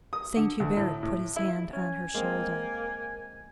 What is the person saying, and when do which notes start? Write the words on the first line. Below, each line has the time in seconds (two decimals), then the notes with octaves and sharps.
Saint Hubert put his hand on her shoulder.
0.13 D#6
0.37 D3
0.60 D2
0.77 A2
1.03 A2
1.36 E4
1.73 C#4 G#5
2.15 G#3 A#3 C4